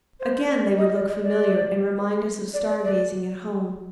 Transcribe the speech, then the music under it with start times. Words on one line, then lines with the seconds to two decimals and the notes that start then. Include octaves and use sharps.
Again they would look familiar and remind us of stargazing at home.
0.20 C5
0.49 D5
0.78 D#5
0.94 D5
1.08 D#5
1.22 D5
2.54 D5
2.68 D5
2.83 D5